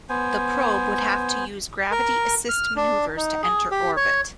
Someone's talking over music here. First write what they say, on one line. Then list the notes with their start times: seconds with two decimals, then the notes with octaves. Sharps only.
The probe would have to use gravity assist maneuvers to enter orbit.
0.09 B3 C5 G#5
1.91 A#4
2.49 F6
2.76 D4
3.17 D#4
3.43 G#4
3.71 G4
3.96 C#5